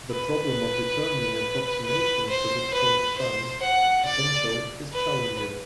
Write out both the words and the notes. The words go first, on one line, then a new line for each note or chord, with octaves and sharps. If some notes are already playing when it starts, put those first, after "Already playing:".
The problem of determining approximations to the Kohn-Sham potential is challenging.
B4
B4
C5
B4
C5
F#5
D5
B4